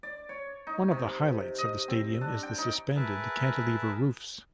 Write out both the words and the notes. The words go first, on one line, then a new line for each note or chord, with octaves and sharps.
One of the highlights of the stadium is the suspended cantilever roofs.
D5
C#5
D#4
C3
D#5
C4
D4
G5
D#4
G#4 A#4 B4 E5 A5